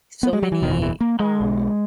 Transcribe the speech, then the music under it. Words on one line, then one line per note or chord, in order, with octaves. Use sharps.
so many, um,
B3
G#3
F#3
E3
F#1 E2 B2 D#3
E3
E3
A#3
G#3
B1 B2